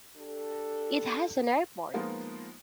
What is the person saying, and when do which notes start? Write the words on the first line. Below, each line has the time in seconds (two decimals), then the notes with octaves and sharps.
It has an airport.
0.17 D4 G4 A4
1.94 F3 G#3 A#3 B3 D#4 F4